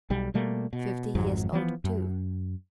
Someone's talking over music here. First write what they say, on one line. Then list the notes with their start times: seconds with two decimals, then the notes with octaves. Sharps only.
Fifty years old, too!
0.10 B1 G3
0.34 B2 G3 A3 A#3
0.73 B2
1.15 G#1 F2 G#2 F#3
1.52 E3 F3 B3
1.84 F#2